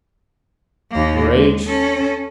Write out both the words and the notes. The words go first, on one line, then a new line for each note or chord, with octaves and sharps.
"Your age?"
D#2 A#3
G#3
C#4 A4